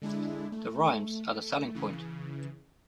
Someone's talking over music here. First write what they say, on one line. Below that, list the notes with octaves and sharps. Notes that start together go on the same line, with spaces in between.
The rhymes are the selling point.
D3 G#3 D4 E4
A3
C#3 E3